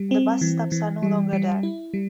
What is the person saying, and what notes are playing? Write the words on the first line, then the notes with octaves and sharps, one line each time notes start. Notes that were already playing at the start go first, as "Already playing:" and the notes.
The bus stops are no longer there.
Already playing: G3
C4
E3
E3
G3
G3
E4
G3